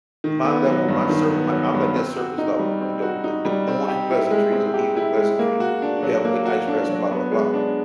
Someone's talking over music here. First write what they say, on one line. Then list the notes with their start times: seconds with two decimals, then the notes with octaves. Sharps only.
my level, my surf my I'm at that surface level, y'know, the the morning pleasantries or evening pleasantries, "You have a good night's rest" blah, blah blah,
0.24 D#3
0.44 B3
0.66 F#3
0.88 G2
1.09 D#3
1.31 B3
1.52 F#3
1.74 G2
1.96 C4
2.17 F#4
2.38 D#4
2.59 G3
2.81 C4
3.02 F#4
3.24 D#4
3.45 G3
3.68 C4
3.88 G4
4.10 E4
4.31 G#3
4.52 C4
4.74 G4
4.96 E4
5.17 G#3
5.39 A#3
5.60 F#4
5.82 D4
6.03 F#3
6.25 A#3
6.45 F#4
6.68 D4
6.89 F#3
7.11 B3
7.31 G#3
7.54 D4